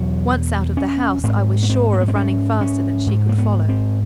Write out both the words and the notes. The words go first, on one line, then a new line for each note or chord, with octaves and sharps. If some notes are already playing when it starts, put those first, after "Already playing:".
Once out of the house, I was sure of running faster than she could follow.
Already playing: E2 B2 F#3
C#4
G#2 C4
B3
C4
A#3
B3
C4
C#4
C#4
G#2
A#3
B3
C4